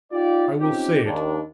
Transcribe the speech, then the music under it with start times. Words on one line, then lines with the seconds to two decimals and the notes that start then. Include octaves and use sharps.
I will say it.
0.12 D#4 F4 G4 D5
0.60 C4 C#4 D#4 F4 G4
1.05 D#2 D4